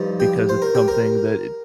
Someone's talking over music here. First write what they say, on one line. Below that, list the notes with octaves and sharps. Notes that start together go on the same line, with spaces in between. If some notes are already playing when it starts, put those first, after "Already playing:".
because it's something that
Already playing: G2 F3 D#4
G4
C5
A#4
G4
A#4